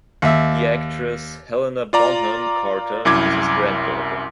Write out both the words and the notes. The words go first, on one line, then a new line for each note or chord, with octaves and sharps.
The actress Helena Bonham Carter is his granddaughter.
D#2 E5
F4 D5 A#5
C2 F#2 E4 D6 G#6